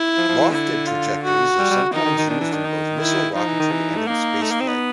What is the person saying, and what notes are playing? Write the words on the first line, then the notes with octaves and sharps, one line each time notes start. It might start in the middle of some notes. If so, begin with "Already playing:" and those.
Lofted trajectories are sometimes used in both missile rocketry and in spaceflight.
Already playing: E4
F3
F3
E3
D3 E4
F4
F#4
G3
G3
D#3 D#4
D#3
D#3
D#3 D4
E3
D#3
D#4
E4
F3 D#4
E3
D#3
E3
A3
A#3 D#4
A3
A#3
C4
B3